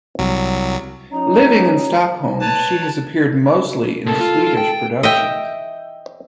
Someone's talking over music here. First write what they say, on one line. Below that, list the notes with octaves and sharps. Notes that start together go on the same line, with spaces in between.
Living in Stockholm, she has appeared mostly in Swedish productions.
C2 F#3
F3 C#4 D#4 A#5
B4 C#5 A5
C3 A4 A#4
F4
G5
D#5 E5 G5